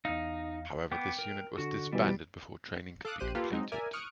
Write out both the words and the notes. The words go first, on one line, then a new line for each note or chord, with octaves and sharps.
However, this unit was disbanded before training could be completed.
E2 D#4 F5
B3 G5 D6
A#4
D3 F#4
B2 E3 G3
A4 F5 D6 D#6 F#6
A#1 G4 C5 F#6 D#7
A#3 F4 G4 A4 B4
F#3 G#3 C4 D#4
A#4 D5 E5 G#5
C#6 D#6 F6 F#6 C#7 D7